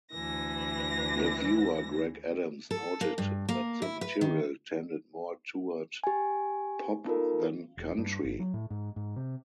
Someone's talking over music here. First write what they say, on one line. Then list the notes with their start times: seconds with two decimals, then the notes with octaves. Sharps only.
Reviewer Greg Adams noted that the material tended more toward pop than country.
0.12 D2 E3 A#6
2.71 A4
3.01 A#3
3.18 G2
3.49 A#3
3.82 E4
4.01 B4
4.21 D#3
6.04 G4 G#5
7.05 B3 D#4 F4 A4 A#4
7.77 E1
7.98 G2
8.24 G1
8.39 F#3
8.54 A2
8.70 G#2
8.96 G#2
9.16 C3